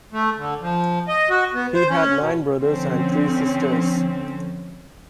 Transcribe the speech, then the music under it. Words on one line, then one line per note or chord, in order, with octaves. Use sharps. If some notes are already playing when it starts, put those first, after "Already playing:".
He had nine brothers and three sisters.
A3
D3
F3
D#5
F#4
B3
C5
C#4
B2
D3 F3 C4 C#4